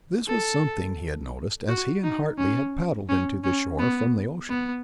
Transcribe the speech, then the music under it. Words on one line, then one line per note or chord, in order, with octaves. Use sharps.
This was something he had noticed as he and Hartly had paddled in to the shore from the ocean.
A4
F#4
D#4
C#4
C#4
C#4
B3
B3